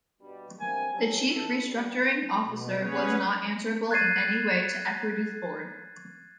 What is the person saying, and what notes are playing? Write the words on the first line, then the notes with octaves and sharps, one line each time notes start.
The chief restructuring officer was not answerable in any way to Equity's board.
G2 B2 G3
G2 C3 A#3 G#5
F#1 F#3 G3 B3 A4 A5
E3 A4
G3
B2
B3 C#4 G#4 B4 C#5
F#6 G#6 A6 C7 D#7